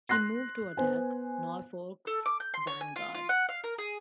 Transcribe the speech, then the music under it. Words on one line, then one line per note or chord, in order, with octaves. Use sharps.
He moved to attack Norfolk's vanguard.
C6 F#6 A#6 C7
B3 C5 G#5
A4
D6
G6
C6
C#5
G#5
F4
F4
F#5
F5
A#4
G#4